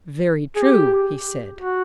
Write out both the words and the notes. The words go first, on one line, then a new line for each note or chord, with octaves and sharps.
Very true, he said.
G#4
G4
F#4